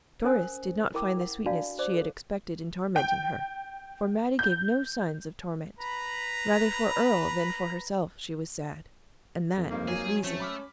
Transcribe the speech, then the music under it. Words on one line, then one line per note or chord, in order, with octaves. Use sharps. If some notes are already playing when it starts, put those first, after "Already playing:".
Doris did not find the sweetness she had expected in tormenting her, for Mattie gave no signs of torment--rather for Earle than for herself she was sad, and that with reason.
C#4 A#4 C5 G#5 D#6
E4 A#4 G5 D6 D#6
A#4 F#5
D4 F#4 D5 F5 A5
C5 D5 D6
A4
G5
G6
B4 A#5 B5
F2
G2 A#3 C4 D#4
F#3 G#4
A3 C4 C#4
B5 D6 F6